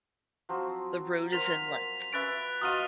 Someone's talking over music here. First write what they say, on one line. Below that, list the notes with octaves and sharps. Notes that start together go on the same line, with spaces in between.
The road is in length.
F3 F#3 C4
A#4 C5 C6 B6 F7
C#4 B4 E5 F#6 A6 D7
F#3 F4 D#5 D#6 F6 D#7